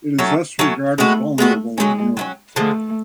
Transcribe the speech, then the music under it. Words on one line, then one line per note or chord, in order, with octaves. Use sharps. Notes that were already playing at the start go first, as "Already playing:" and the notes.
It is thus regarded vulnerable in Europe.
F#3 A3 C#4
F#3 A3 C#4
G#3 A3 B3 F#4
G#3 A3 B3 F#4
F#3 G#3 A3 C#4
F#3 A3 C#4
D3 F3 G#3 A3